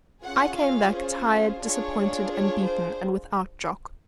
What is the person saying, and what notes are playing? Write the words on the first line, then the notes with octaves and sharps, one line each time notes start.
I came back tired, disappointed and beaten, and without Jock.
C#4 F4 G#4 F#5
F5
C5
D4 F4 G#4 C#5
C#5
C5